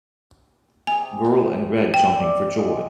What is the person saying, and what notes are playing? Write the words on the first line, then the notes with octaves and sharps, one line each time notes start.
Girl in red jumping for joy.
C3 G#4 G#5
G5
C4 D5
G#3 D#5